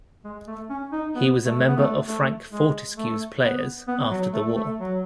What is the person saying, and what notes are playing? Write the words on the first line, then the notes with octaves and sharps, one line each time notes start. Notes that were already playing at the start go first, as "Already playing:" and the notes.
He was a member of Frank Fortesque's Players after the war.
G#3
A3
C#4
D#4
B3
A3
B3
A3
A3
G#3
A3
B3
B3
F#3
A3
A3
F#3